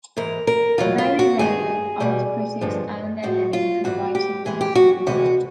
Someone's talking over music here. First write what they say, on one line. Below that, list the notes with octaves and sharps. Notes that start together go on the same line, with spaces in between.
Very rarely art critics earn their living from writing criticism.
G#2 E3 G#3 A#4
A#4
E2 B2 F#3 F4
F4
F#4
G2 D#3 G#3 G#4
E2 B2 G3
G2 D3 F3 G#3
A2 F3 G#3 F#4
F4
G#2 E3 G3 F#4
G4
G#2 E3 G#3 G#4
G4
F#4
D2 C3 E3 G#3 F#4